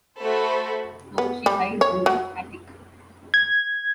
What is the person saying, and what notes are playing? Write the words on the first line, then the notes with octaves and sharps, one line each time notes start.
So she hides in the attic.
A3 F#4 A4 C5 E5 B5
B3
G3
C#5
F#3
G#6